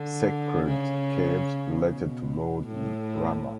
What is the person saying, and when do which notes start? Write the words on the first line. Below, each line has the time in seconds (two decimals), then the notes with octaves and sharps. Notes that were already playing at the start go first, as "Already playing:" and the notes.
Sacred caves related to Lord Rama.
Already playing: D3
0.66 C#3
1.87 B2
2.67 A2